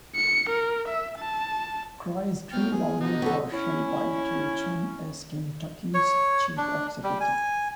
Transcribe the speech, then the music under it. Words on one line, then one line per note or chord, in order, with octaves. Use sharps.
Cries grew louder for Shelby to return as Kentucky's chief executive.
C#7
A#4
E5
A5
F#3 B3 G5 F6
E2 G#4
B2 D3 D#4
C#3 E3 B3 C#4 A4
C#4 E4
C#5
D4
G3
G#5